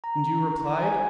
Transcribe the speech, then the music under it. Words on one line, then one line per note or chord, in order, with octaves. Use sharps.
"And you replied?"
A#5
G#5